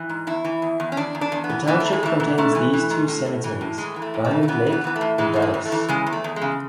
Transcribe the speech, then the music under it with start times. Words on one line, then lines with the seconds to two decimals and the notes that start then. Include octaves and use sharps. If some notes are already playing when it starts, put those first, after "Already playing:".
The township contains these two cemeteries: Diamond Lake and Dorris.
Already playing: E3
0.09 G#2
0.27 E2 E4
0.45 E3
0.62 E2
0.80 E2
0.92 C#4
0.97 E2 D4
1.15 E2
1.21 D4
1.32 E2
1.44 B3
1.49 E3
1.67 E3 B3
1.80 A3
1.85 E3
1.93 G#3
2.03 E3 A3
2.20 G#2
2.38 G#2 A3
2.55 E3
2.73 E3
2.90 G#2
3.08 A2
3.26 A2
3.44 E3
3.61 A2
3.78 E3 G#3
3.96 E3
4.02 A3
4.14 A2
4.25 A3
4.31 E3
4.43 A3
4.48 E3 B3
4.67 E3
4.72 B3
4.84 E3 B3
4.96 A3
5.01 A2
5.18 E3 G#3
5.34 A2 A3
5.42 G#3
5.54 E3
5.65 A3
5.72 E3
5.88 C#3 G#3
6.06 E2
6.13 A3
6.24 E2
6.36 G#3
6.42 C#3